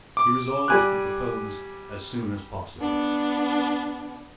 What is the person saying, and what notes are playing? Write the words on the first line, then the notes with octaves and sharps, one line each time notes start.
He resolved to propose as soon as possible.
D6
G3 G#5 F#6
B3 D4